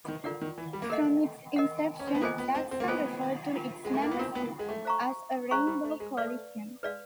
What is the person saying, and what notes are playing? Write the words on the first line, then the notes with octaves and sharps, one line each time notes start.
From its inception, Jackson referred to its membership as a Rainbow Coalition.
D#3
D3 F4 A#4 D5 F#5
D#3
E3
G3
A#3
A3 A#4 D#5 F#5
A#4 D#5 F#5
C#4
C4
B3
A#3 F4 A4 C5 D#5 G#5
B3
C4
C4
A#3
B3 F4 A4 C5 D#5 G#5
D4 F4 A#4
G#3
A3
A#3
B3
C4 D4 F4 A#4
B3
G#3
A3
C5 F5 A#5 C#6
G#3 C5 F5 A#5 C#6
G3
A3
G#3
A3 B4 D5 F5
G#3 B4 D5 F5